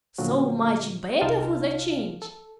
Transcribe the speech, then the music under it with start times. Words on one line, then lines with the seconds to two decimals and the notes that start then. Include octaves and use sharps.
So much better for the change!
0.18 A#2 D3 F3 F#3 F#4
1.21 C2 D#4 F4 F5 A5 F6
2.22 A4